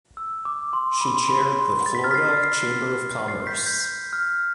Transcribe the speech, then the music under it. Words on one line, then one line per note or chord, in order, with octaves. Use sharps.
She chaired the Florida Chamber of Commerce.
E6
D6
C6
B5
C6
B5
C6
A6
B6
F6 A6
B6
A6 C7
A6 C7
A6 C7
G6 B6
G6 B6
G6
F6